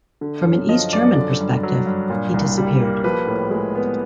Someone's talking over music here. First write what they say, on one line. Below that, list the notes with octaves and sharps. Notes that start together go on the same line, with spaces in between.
From an East German perspective he disappeared.
D3
F#2
F3 D#5
F#2 D5
D3
G2
F#3
G2
A#2
C2
G3
A#3
F3 B4
A2
G#3
B3